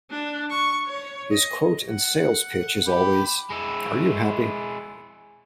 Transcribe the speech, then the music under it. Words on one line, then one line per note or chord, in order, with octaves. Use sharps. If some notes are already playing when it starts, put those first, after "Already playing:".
His quote and sales pitch is always Are you happy?
D4
C#6
C#5
D#5
F#5
G4 B5
G#3 E4